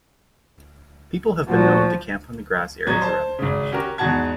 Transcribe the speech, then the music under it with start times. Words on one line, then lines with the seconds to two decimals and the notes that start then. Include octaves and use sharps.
People have been known to camp on the grass areas around the beach.
1.49 A#2 F3 F#4
2.87 A1 F#3 F#4 G#6
3.02 C5 A5
3.39 G#1 C#3
3.72 C#4 F#4 G4 A#4
3.98 E2 G#2 F#4 F#5 A5 G#6